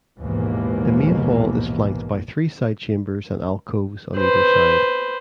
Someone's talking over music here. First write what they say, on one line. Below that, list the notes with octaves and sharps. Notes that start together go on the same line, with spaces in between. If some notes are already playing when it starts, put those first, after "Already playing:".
The main hall is flanked by three side chambers and alcoves on either side.
A#1 D#2 G#2 B2 E3 A#3
B4 C5